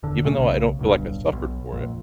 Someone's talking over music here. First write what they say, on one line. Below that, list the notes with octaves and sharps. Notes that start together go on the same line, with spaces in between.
even though I don't feel like I suffered for it.
E1 D3
B2 A3 C#4
B1 C#3
D1 B1 G2
B1
A#1 F2